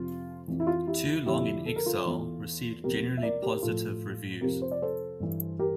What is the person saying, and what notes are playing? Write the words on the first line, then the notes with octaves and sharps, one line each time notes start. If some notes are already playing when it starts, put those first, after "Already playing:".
"Too Long in Exile" received generally positive reviews.
Already playing: F2 C3 F3 F4
F2 E3
E4
F4
E4 G4
F2 D3 F3 E4 G4
A4
A#4
F4 A4
E2 E3
E2 C3 F3 G4 A#4
E5
A#4 D5
G4 A#4
A2 F3 F4 A4
F2 C3 F3 G4 A#4
C5
D5
A4 C5
G2 E3
G4 A#4